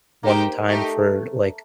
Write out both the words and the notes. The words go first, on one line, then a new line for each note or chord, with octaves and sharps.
one time for, like,
A#3 D#4 G4 C5 G5
A3 D#4 G4